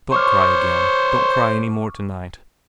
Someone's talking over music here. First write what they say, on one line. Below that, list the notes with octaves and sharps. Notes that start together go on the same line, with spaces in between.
'Don't cry again. Don't cry any more to-night.
C5 C#5 C#6 D6 F6